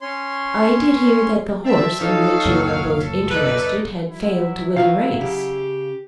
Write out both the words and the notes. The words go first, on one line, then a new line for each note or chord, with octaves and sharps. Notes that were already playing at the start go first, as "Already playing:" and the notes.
"I did hear that the horse in which you are both interested had failed to win the race."
C#4 C#5 C6
C4 E5 A5
D#4 A4 C#5 F5
C#2 F#2 A#2 F#3
A4
D#4 E4 B4 D5
F#3 E4
D#3 F4 F#4 F5
C#3 G4